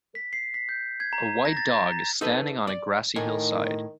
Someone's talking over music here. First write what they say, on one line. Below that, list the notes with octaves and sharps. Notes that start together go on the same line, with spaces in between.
A white dog is standing on a grassy hillside.
B6
C7
B6
G6
G#6
A#5
A#6
A6
A#5
A#5
D#4 A4 B4
D5
A2 D#3 G#5